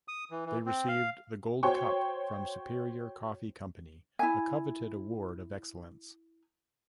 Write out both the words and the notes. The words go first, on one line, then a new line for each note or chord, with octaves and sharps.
They received the "Gold Cup" from Superior Coffee Company, a coveted award of excellence.
D#6
E3
E3
C4
F5
F#4 C5 C#5 G5 C#6
E4 G#5